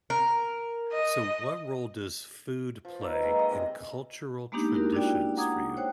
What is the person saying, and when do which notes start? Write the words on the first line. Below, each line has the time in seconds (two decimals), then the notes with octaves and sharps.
So, what role does food play in cultural traditions for you?
0.10 A#4
0.92 D#5
2.85 F3
3.01 D#4 B4 E5 A#5
3.22 D#3 G#3 A#3
3.39 D#5
3.51 C3 G3
4.52 G#3 A#3 B3 D4 D#4 G4
4.72 E4 F#4 G4 A#4
4.93 D4 E4 F#4 D5 G5
5.37 F#5 A#5 D6 D#6 G#6
5.77 C5 C#5 G5 F#6